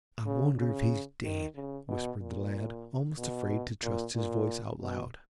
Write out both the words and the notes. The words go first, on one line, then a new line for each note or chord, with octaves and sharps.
"I wonder if he's dead," whispered the lad, almost afraid to trust his voice out loud.
C#3
C#3
D#3
C#3
B2
A#2
B2
A#2
A#2
B2